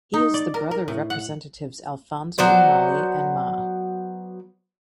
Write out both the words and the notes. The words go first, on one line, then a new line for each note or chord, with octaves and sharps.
He is the brother of Representatives Alfonso Umali and Ma.
D#4
D5
A#4
A#4
A2
F#5
F#3 B3 C5 D5